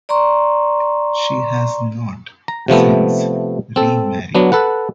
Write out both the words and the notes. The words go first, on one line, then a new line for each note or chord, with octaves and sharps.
She has not since remarried.
D5 A#5 C6 C#6
A#5
C3 F3 A3 B3
C4 A4
F#3 B3 D4
A4 B4 F#5